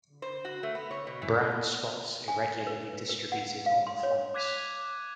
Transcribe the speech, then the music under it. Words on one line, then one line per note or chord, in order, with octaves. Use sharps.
Brown spots irregularly distributed on flanks.
C5
F#4
A3
B3
C#5
B2
E3
G#5
B4
B4
F#5
F5
C6
C#5
D6 F#6 G#6 B6 D#7 F7